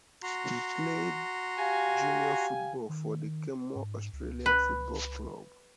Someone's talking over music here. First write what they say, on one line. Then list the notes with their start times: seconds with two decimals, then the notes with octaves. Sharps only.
He played junior football for the Kenmore Australian Football Club.
0.23 F#4 A#5 C6
1.59 G4 F5 G#5
2.89 D#3
3.75 G#2
4.13 C#2
4.46 B4